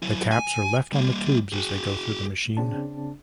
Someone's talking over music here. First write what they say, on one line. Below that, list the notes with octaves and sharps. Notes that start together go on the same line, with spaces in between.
The caps are left on the tubes as they go through the machine.
F#3 E4
G#5
G3 A#3
F#4 G#4
C#3 C4 D4 A5